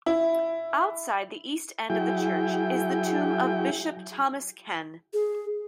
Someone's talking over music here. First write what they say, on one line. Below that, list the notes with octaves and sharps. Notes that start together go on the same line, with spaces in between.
Outside the east end of the church is the tomb of Bishop Thomas Ken.
E4
F#3 E4 G#4 G5
G#4